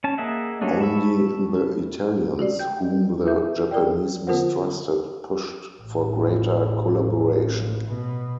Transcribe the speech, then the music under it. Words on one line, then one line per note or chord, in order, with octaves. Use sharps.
Only the Italians, whom the Japanese mistrusted, pushed for greater collaboration.
C#4 A5
A#3 G#4 D#5 E5 F#5
F#3 G3 A3 C#4 D4
A5 B5 C#6 E6
F#4 G4 D5
G5 G6
A4 E5 G6
G#4 A#4 D5 G5
D3 B3 F4 A#4 C5 F#5
A1
B2